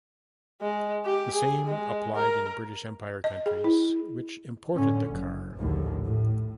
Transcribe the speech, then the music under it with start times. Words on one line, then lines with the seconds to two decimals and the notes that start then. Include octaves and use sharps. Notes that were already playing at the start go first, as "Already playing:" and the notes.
The same applied in British Empire countries which imported the car.
0.62 G#3
1.05 G4
1.34 G#4
1.67 G#3
2.16 A#4
3.24 D#5
3.46 G#4
3.64 E4
4.75 A2 D3 C#4
5.10 F#1
5.57 A#1 D#2 A2 D3
6.06 A2